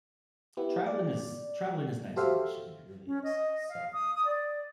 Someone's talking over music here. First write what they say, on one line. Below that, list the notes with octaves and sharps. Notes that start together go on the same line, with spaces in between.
traveling is traveling is nice in Michigan it really is, so.
B3 E4 G4 B4
D5
F#4 G4 A4 C5 E5 F5
C#4
D#5
F5
D#6
D#6
D5